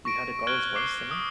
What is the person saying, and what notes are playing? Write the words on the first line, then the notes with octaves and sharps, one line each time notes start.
You heard a girl's voice singing?
C#6 A#6 D7
F6 F#6 G#6 D7 F#7 G7
C#6 D6 C7 D7 G7
D#6